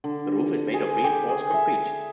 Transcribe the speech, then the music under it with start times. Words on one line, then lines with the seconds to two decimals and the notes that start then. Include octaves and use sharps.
The roof is made of reinforced concrete.
0.04 D3
0.74 G#4
1.04 G4
1.29 G#4
1.54 E5